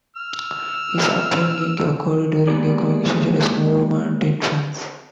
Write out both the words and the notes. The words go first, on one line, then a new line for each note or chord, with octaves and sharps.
His upbringing occurred during a growing socialist movement in France.
E6 F6
G#3 A#3 B3 G4 G#4 D5